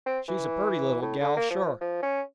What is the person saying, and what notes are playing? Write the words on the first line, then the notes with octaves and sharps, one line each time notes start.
"She's a purty leetle gal--shore."
C4
E3
A2
D3
A#3
F3
F3
C#4